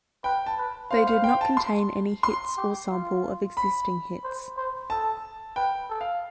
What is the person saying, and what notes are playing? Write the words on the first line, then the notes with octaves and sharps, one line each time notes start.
They did not contain any hits or sample of existing hits.
B4 G5
A5
B4
C5 F5
F5
G5
A5
C6
C6
G4
F4
B5
C5
C5
A4 A5
B4 G5
A4
F5